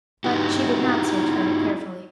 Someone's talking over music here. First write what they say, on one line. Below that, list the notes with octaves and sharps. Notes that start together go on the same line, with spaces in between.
But she did not search very carefully.
D#4 E4 F#4 G4